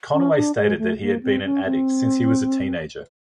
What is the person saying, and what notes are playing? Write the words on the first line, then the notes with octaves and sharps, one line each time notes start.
Conaway stated that he had been an addict since he was a teenager.
C#4
D4
G#3
A3
A#3
C4
C#4
C4